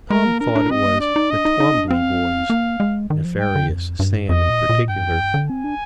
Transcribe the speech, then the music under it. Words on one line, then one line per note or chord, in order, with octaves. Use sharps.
Tom thought it was "the Twombly boys," nefarious Sam in particular.
G#3 A#4
A#3
D4 A#4
D4
C4 D#5
A#3
D4 D5
D#4
D4 D#5
D#4
D#4
D4
C4 F5
A#3
G#3
D#3
F3
G3 G5
D3
F2
G2
F2 D#5
A#2
A#2
G2 G5
F2
G2
D3
C4 G#5
D4